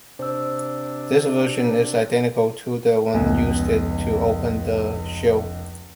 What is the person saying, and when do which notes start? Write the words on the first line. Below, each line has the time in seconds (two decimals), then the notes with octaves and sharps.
This version is identical to the one used to open the show.
0.19 C3 D4 C5 E6
3.14 F1 C#2 B3 G#5